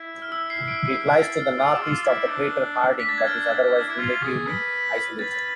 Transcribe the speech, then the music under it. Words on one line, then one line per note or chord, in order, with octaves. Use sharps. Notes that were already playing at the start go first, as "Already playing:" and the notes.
It lies to the northeast of the crater Harding, but is otherwise relatively isolated.
Already playing: E4
F6
E6
C7
D7
C7
A6
F6
F4 F6
E6
G#4 D6
F4 E6
E4
D4
D4 B6
A6
G#6
F6
G#6
D4
E4
F4
G#4
B4
B4 A6